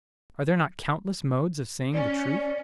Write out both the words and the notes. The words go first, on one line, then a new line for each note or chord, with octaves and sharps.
Are there not countless modes of saying the truth?
C#4 D5